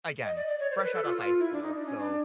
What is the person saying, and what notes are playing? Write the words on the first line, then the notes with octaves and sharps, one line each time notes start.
again, fresh out of high school. So,
D#5
D5
D5
C#5
C5
A#4
B4
A4
F4
F4
E4
D4
D#4
D4
C#4
D4